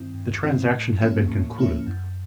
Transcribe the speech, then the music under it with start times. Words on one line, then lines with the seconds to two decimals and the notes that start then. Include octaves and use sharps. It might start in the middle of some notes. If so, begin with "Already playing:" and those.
The transaction had been concluded.
Already playing: G2 D#3 G3 C4 E4
0.14 G2
0.43 D#3 G3 C4 E4
0.72 A2
1.00 F3 A#3 C#4 E4
1.30 A2
1.58 F3 A#3 C#4 E4
1.87 F#2